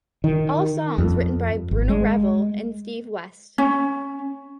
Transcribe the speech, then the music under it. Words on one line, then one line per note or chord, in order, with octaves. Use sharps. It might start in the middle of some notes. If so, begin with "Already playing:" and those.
All songs written by Bruno Ravel and Steve West.
D#3
F2
G#1
G#3
C#4